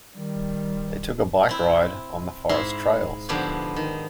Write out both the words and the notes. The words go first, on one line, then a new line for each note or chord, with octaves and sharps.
They took a bike ride on the forest trails.
D#3 G3
C4 E4
G#2 E4 E5 C6
G#2 D3 F3 B3 E4 G4
D#3